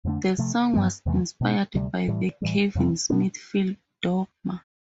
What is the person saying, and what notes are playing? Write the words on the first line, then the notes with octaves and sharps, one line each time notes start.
The song was inspired by the Kevin Smith film "Dogma".
F2 D3 A3 D4
C3 F3 A3
G2 F3 B3
E2 C3 E3 A3
B2 B3 D4
D2 C3 G3
A2 E3 G3
A2 E3 G3
F2 C3 G3 C4
B2 B3 D4